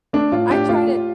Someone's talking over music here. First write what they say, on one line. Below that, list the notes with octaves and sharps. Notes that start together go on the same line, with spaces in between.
I tried it
A3 D4
A2 F4
A2 D4 G4
A3 F4
A3